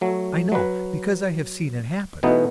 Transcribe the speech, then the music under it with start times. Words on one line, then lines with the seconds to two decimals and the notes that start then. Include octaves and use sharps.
I know, because I have seen it happen.
0.01 F#3 A3
0.52 F#3 B4
2.23 B2 E3 A3 B3 D#4